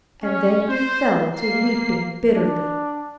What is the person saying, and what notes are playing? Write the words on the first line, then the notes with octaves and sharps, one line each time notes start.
And then he fell to weeping bitterly.
C#4
C5
A#3 C7
D4